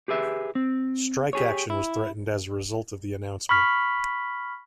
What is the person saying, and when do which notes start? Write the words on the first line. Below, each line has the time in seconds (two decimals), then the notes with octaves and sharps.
Strike action was threatened as a result of the announcement.
0.08 G4 G#4 B4 E5
0.55 C4
1.33 G4 G#4 C#5
1.70 E4
3.49 B5 C#6 F6 B6